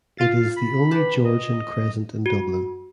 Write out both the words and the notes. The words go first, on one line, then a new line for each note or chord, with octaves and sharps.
It is the only Georgian crescent in Dublin.
F4 F5 A6
B5
G4 B4 A5
D#5
F#4